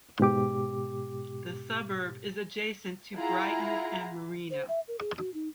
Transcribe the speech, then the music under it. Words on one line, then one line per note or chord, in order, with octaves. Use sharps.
The suburb is adjacent to Brighton and Marino.
G#2 B2 G4 D6
E4 F4 G#4 F#5 A#5
C5
E5
A#4
G#4
F#4
D#4